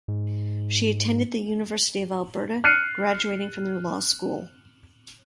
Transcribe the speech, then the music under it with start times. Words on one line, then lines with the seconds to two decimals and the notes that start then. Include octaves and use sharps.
She attended the University of Alberta, graduating from their law school.
0.08 G#2
2.64 F6 F#6 C7 C#7 D#7